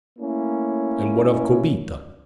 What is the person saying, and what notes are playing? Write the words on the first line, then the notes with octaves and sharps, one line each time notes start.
"And what of Kobita?"
A3 A#3 C#4 E4